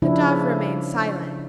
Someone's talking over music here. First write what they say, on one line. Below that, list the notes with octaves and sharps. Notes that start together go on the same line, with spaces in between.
The Dove remained silent.
C#3 F3 D4 E4